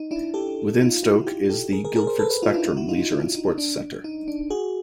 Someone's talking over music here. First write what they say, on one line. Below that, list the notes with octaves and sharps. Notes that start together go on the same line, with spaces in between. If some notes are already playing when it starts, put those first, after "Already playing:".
Within Stoke is the Guildford Spectrum leisure and sports centre.
Already playing: D#4
D4 E4
G4 A4
D#4 F4
E4 F#4
F4 G4
G4 A4
G#4 A#4
G#4 A#4
G#4 A#4
A#4 C5
A4 B4
A4 B4
D#4 F4
D4 E4
D#4 F4
E4 F#4
D#4 F4
D#4 F4
D4 E4
D#4
D4
D#4
D4
F#4 G#4